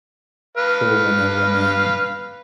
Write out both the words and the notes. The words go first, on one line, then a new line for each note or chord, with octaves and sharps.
cool when a woman
B4 F5